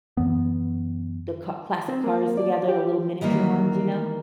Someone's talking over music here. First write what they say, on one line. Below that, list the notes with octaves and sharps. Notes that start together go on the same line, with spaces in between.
the ca classic cars together, the little miniature ones, you know?
F#2 E3 B3
C4
A#3
D5
G4
D#3 E3 G3 A#3